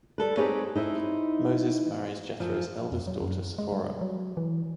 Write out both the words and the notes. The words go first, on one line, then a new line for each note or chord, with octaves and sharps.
Moses marries Jethro's eldest daughter Sephora.
G3 A4 B4
C4 D#4 G4 G#4 B4 C#5
D#4 E4 C5
F#2 F3
F2
F#3
F#2
G#3
G3
F#3
E3